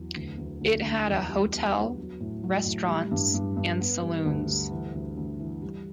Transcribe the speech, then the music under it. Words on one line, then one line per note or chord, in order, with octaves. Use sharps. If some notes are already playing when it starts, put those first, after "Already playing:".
It had a hotel, restaurants, and saloons.
Already playing: E2 F#3
D2
D2
D2
D3
E2
G3
B3
B3
F#3
A2
F#3
A2
G3
G2
G2
G2
B3
G3
D2
G3
E3
D2
D2
E3
G3